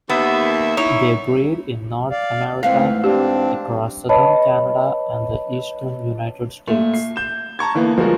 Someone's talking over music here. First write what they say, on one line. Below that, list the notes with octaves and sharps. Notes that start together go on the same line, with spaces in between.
They breed in North America, across southern Canada and the eastern United States.
D#2 B3 E5
D#4 E4 C#5
D5 F5
G#2 E3 A3 C4 F5
C4 D4 G4
B4 C#5 D#5 A5 B5
A#2 A3
C7
G6 E7
A5 A#5 C#6 G#6
D3 E3 A#3 B3
G1 F3 G#3 F#4 A#4